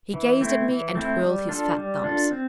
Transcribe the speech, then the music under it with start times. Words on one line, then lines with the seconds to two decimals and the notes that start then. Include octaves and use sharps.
He gazed at me, and twirled his fat thumbs.
0.14 E3
0.41 A3 C4 E4
0.68 E3
0.95 A3 C4 E4
1.22 G3
1.49 D4 F4 A4
1.77 G3
2.04 D4 F4 A4
2.31 C4